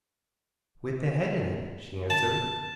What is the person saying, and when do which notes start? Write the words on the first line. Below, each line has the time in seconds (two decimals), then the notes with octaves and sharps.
"With the head in it," she answered.
2.10 A5